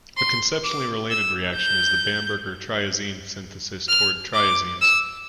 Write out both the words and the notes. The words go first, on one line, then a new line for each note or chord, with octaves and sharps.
A conceptually related reaction is the Bamberger triazine synthesis towards triazines.
C6
D6
E6
G6
F6
D6
E6